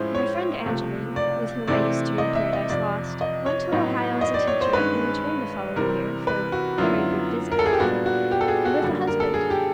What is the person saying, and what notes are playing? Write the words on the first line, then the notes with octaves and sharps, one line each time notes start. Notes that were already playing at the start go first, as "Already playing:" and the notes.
My friend Angeline, with whom I used to read "Paradise Lost," went to Ohio as a teacher, and returned the following year, for a very brief visit, however,--and with a husband.
Already playing: A2 F3 G#3 C#4 E4 C5
C#5
C#2 C3 F3 A3
D5
C3 E3 A3 C4 E4 D5
D#5
E5
D#5
F2 C3 F3 D5
D#5
C#5
A2 F#3 B3 D#4
D#5
D5
C#5
C5
G2 D#3 G#3 C#4 B4
C3 E3 G3 C4 A#4
B4
F#4
F#2 D3 F#3 B3 E4 F4
A#4
A4
G#4
G4
A#2 G3 B3 D4 F#4
F#4
G4
A4
G#4
F#4
F#2 D3 G3 A#3
A#4
A4
G#4
G4